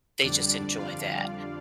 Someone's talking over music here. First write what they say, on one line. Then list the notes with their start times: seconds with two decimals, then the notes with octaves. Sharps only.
they just enjoy that.
0.23 F2 D3 G3 D4 D5
0.79 F4 F5